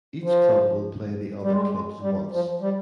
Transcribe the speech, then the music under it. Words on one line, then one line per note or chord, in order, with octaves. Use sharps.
Each club will play the other clubs once.
F3
G3
G#3
G3
G#3
G3
F3
G3